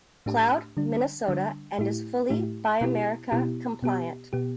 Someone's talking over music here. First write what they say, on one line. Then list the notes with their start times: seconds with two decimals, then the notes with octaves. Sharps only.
Cloud, Minnesota, and is fully "Buy America" compliant.
0.26 A2 A3 D4 G4
0.77 D3 G3 D4
1.28 D3 G3 D4
1.79 A2 A3 E4 G4
2.29 A2 A3 E4 G4
2.81 B2 B3 E4 G4
3.31 B2 B3 E4 G4
3.83 B2 B3 G4
4.33 B2 B3 G4